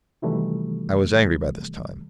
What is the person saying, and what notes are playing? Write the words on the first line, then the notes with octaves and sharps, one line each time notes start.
I was angry by this time.
C3 D#3 E3 F#3 G3 A3